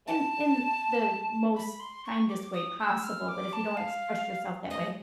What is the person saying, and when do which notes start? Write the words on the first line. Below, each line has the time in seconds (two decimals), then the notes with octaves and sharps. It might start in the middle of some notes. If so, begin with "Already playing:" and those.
in in the most kindest way possible, but if you don't express yourself that way,
0.07 A5
1.56 B5
1.80 C6
2.05 C#6
2.29 D6
2.54 D#6
2.79 E6
3.04 F6
3.28 D6
3.53 A5
3.77 F5
4.70 D#5